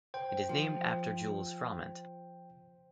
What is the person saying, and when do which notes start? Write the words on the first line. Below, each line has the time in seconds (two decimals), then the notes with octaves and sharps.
It is named after Jules Froment.
0.14 C5 G5
0.49 F3